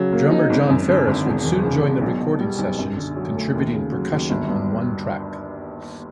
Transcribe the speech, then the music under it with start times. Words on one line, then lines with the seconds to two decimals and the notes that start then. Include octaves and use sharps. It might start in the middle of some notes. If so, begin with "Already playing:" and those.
Drummer Jon Farriss would soon join the recording sessions, contributing percussion on one track.
Already playing: C#3 F#3
0.13 A#3
0.31 D#4
0.50 G#1
0.69 F#2
0.88 D3
1.07 G#1
1.26 E1
1.45 E2
1.63 C#3
1.82 E1
2.01 B1
2.21 B2
2.40 G3
2.58 B1
2.78 F#2
2.97 D3
3.16 F#3
3.35 A3
3.54 D#2
3.73 C#3
3.92 F#3
4.11 D#2
4.30 G1
4.49 G2